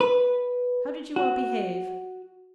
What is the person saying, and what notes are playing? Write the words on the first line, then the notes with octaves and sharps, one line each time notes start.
How did you all behave?
B4
F#4